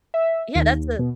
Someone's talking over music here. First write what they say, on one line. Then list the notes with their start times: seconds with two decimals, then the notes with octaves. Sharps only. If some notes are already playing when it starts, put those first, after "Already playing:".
Yeah, that's a
0.14 E5
0.55 D#2
0.99 B2